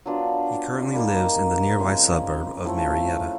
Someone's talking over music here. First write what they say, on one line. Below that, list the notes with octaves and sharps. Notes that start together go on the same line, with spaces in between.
He currently lives in the nearby suburb of Marietta.
F#3 B3 D4 F4
G3 A#3 D#4
C#3 F3 G#3 C4
A2 F3 A3